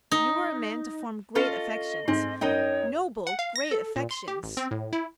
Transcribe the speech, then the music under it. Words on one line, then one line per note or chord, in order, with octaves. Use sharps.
You are a man to form great affections,--noble, great affections.
D#4
C#4 F4 A4 D#5
G#2 C4
F#2 D#4 C#5 D#5 G5
F#5
F5
A#6
A4
A#2
C6
G4
A1
C4
A2
E4